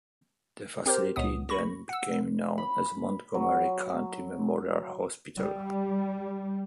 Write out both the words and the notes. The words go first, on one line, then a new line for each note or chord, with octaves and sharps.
The facility then became known as Montgomery County Memorial Hospital.
C4 G4 A#4 C5
C#2 A#2 B3 D#6
B5 C#6 A#6
F#5 E6
B5
F#3
G3